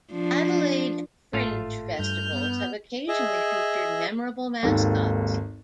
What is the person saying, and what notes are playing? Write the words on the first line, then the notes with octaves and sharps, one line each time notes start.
Adelaide Fringe Festivals have occasionally featured memorable mascots.
F3 D4
G#1 A2 A3 F4 F5
G2 F6 G6
B3
G#4 D#5 E5
G#1 D#2 A4